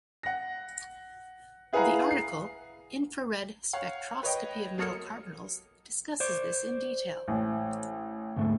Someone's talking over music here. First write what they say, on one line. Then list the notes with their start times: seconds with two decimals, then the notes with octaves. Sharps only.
The article infrared spectroscopy of metal carbonyls discusses this in detail.
0.23 F#5 A#6
1.73 E4 G#4 B4 F5 F#5 A#5
2.11 C7
3.73 C#5 F5 F#5
4.23 B4 C#5 D#5 G5
4.78 F#3 A#3 A4 D#6 F6 C#7
6.20 C5 D5
7.28 A1
8.36 D2 G#2 A3